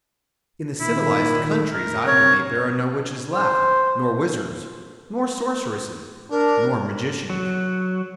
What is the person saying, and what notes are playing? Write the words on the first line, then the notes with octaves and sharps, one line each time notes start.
In the civilized countries I believe there are no witches left, nor wizards, nor sorceresses, nor magicians.
A#2 D#3 E4
A#4
C3 C4 C#5
C5
D4 A#4
F#3